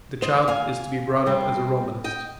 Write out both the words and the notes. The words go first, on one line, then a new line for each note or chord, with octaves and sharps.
The child is to be brought up as a Romanist.
C5 D#5
F5 G#5
C3 G3 C4
D#5 G5